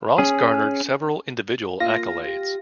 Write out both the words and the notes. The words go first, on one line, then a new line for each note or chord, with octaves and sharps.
Ross garnered several individual accolades.
C#4 G#4
A#3 F4 A#6
G4